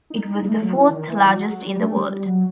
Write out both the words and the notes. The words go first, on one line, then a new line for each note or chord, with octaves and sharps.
It was the fourth largest in the world.
D#4
D#4
D#4
G3
A3
F#3
E3
D#3
E3
F#3
G3
A3
G3
G3
F#3